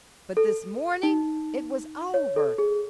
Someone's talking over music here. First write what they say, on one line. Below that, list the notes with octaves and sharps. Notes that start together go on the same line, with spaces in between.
But this morning it was over.
A4
D#4
C#5
A4
G#4